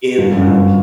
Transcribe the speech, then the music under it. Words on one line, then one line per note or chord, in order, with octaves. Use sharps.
in, like
G1
F#2
G1